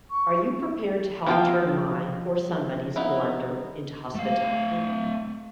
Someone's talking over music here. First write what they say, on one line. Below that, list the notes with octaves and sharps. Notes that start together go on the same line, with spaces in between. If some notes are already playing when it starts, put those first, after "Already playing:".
Are you prepared to help turn my, or somebody's, blunder into hospitality?
C#6
F3 A#3 F4 A4 C5 G5
B3 D#4 E4
A3 F5